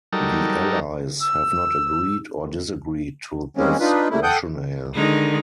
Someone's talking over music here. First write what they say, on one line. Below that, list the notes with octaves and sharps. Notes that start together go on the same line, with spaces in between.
The Allies have not agreed or disagreed to this rationale.
F#3 G3 D#4 A4 A#4
E6
D#3 G3 G#3 A#3 C4 C#4
D4 D#4 F4 B4
G3 A3 A#3 E4
A4 F#5 G5 D#6 G6
D3 D#3 G#3 D#4